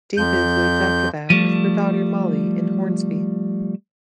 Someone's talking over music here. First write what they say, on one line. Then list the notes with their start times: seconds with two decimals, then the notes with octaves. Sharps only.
David lived after that with her daughter Molly in Hornsby.
0.17 F2 G6
1.30 F3 G3 A3